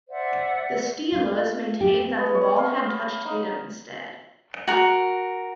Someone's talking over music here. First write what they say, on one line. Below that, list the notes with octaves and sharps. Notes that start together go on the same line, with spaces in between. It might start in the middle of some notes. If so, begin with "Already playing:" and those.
The Steelers maintained that the ball had touched Tatum instead.
C5 D5 E5 F#5
F4
G4
B3
C#5
F5
F5
D#4
F#4 A#4